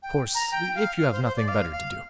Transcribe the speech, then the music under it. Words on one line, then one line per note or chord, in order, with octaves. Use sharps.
Of course, if you have nothing better to do.'
G5
A#5
G5
F5
F5
C5
C5
D5
F5
F5